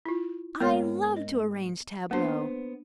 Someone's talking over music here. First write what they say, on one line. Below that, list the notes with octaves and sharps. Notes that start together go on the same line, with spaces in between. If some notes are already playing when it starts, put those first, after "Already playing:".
I love to arrange tableaux.
E4 F4
G#2 A#3 B3 C#5
D#5
A#3 B3 D4 C5